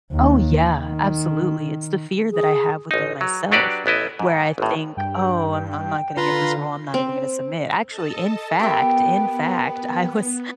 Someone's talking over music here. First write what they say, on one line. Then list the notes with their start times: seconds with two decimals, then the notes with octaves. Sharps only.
Oh, yeah, absolutely, it's the fear that I have within myself where I think, "Oh, I'm I'm not gonna get this role, I'm not even gonna submit," actually, in fact in fact, I was
0.12 D#2
0.63 D#3
2.31 G#4
2.91 A1 D#4
3.21 F#3
3.51 F#3 D4 F#4 G4 B4 D5
3.86 A1 B3 E4 D#5
4.19 G#2
4.58 G#1 A2
4.97 G2 G5
6.17 D3 F4 B4 A#5 C6
6.94 C4
7.87 A4 D#5 A5
8.60 B3 G4 A#4 E5 G5 B5